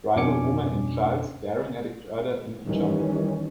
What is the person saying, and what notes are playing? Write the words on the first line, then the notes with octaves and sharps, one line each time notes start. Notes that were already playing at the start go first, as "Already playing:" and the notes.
Tribal woman and child staring at each other in the jungle.
F2 B2 C#4 D4 D6 C#7
D#3 E3 G3 C#4